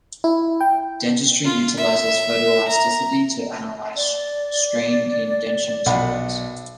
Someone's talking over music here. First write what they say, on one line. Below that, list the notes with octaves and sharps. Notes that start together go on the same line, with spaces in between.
Dentistry utilizes photoelasticity to analyze strain in denture materials.
E4
G5
F4
E5
A#5
D5
B1 F#5 B5